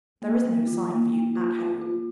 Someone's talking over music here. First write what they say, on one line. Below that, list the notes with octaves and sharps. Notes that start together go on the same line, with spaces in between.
There is no sign of you at home.
A#3
A#3
F4
A#3
A#3
F4
F4
F4